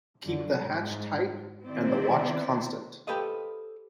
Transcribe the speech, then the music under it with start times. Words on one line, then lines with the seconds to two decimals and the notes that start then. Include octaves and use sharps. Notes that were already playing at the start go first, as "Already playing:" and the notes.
Keep the hatch tight and the watch constant.
0.23 F#2 D3
0.57 G#2 G#3
1.65 D#3 C4 E4 C5 D5
3.07 G4 A4 B4 C5 D#5 F5